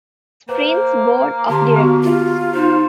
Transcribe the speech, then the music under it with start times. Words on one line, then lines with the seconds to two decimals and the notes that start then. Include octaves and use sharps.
Sprints Board of Directors.
0.49 A#3 B4 C5
1.49 D3 G4 A5 C6
1.76 B3 F#4
2.04 F4
2.54 D#4 C5